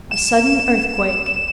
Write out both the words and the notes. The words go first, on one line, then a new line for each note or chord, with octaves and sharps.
A sudden earthquake.
E7